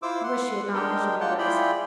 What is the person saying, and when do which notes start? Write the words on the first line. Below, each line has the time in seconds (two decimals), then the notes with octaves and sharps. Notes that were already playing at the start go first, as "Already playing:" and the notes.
He wished she had not mentioned letters.
0.02 E4 F4 C5 D6 E6
0.23 F#5 C6
0.74 G#3 D4 G4 A#4 D#5 G5
1.21 A#3 F4 F#5 G5 A5
1.38 E4 F4 G#4 D5 G5 B5